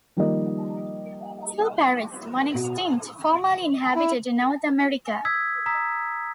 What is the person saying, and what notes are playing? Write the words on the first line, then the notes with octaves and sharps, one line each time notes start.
Two parrots, one extinct, formerly inhabited North America.
D#3 F3 G3 A#3 G4 D#5
B2
E4
D#6 E6 G#6 B6
A#5 D#6 E6 B6